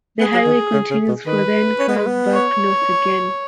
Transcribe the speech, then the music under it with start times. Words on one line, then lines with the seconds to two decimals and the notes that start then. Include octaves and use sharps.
The highway continues for then curves back north again.
0.20 B3 G#4
0.34 F#3
0.46 D#3
0.73 C#3
0.90 C#3
1.08 B2
1.27 D#3 B4
1.79 C#4
1.89 B3
1.97 G#3
2.06 B3
2.33 C#5